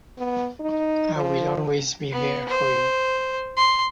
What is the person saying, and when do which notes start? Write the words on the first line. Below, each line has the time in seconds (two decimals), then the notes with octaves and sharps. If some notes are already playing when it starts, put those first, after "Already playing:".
I will always be there for you.
0.18 B3
0.60 D#4
1.16 F3
2.12 B3
2.49 C5
3.57 C6